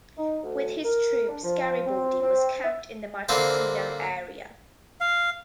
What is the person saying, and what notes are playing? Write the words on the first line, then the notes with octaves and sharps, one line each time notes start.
With his troops, Garibaldi was camped in the Marchesino area.
D#4
D2
A#4
D4
F3
C4
C4
E5
D3 A#3 C4 E4 F4 C5
F5